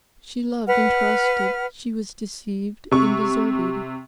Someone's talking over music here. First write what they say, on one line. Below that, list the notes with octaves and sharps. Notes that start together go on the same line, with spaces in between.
She loved and trusted; she was deceived and deserted.
B4 F#5 F6
C3 C#6